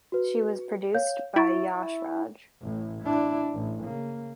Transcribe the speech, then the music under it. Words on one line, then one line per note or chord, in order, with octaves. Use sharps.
She was produced by Yash Raj.
F#4 B4
C#5 F5 G6
E4 C#6 A6 D7
A1 A2
D4 E4
A1
C#3 A#3